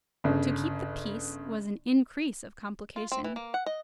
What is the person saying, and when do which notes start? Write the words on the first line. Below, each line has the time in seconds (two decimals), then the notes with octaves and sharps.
To keep the peace, was an increase of complication.
0.24 G1 C#3
2.96 F4
3.12 C4
3.24 E3
3.36 A#3
3.54 F#5
3.66 D#5